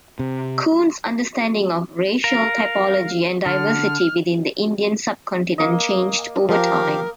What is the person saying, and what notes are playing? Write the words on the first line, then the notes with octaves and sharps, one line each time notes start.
Coon's understanding of racial typology and diversity within the Indian sub-continent changed over time.
C3
A#4 F5
D3 F6
A#3 D#5
F3 G4 A#4 F5